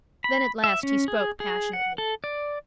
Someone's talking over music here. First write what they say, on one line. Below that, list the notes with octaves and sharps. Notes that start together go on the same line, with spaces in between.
Then at last he spoke passionately.
B5
E5
C#4
G#4
G#4
F#5
A4
D5